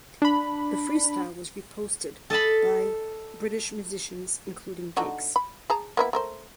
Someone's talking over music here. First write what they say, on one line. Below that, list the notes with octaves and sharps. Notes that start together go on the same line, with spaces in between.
The freestyle was reposted by British musicians including Giggs.
D4 B5
A4 D#5 A5 B5
D3 D#4 F#4
B5
G#4 A5 A#5
A#3 B3 E4
A3 A#4 C5